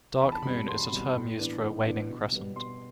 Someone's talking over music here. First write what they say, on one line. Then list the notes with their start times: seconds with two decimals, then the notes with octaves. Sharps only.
Dark Moon is a term used for a waning crescent.
0.21 E2 B5
0.32 A5
0.42 B2 G3 C4 B5
0.68 E2 C6
0.92 B2 G3 C4
1.15 A2
1.39 E3 B3 D4
1.62 A2
1.85 E3 B3 D4
2.09 B2
2.32 G3 B3
2.56 B2 C6